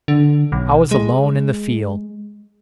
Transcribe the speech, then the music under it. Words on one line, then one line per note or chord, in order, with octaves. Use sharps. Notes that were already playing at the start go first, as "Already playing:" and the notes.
I was alone in the field.
D3
B1
G#3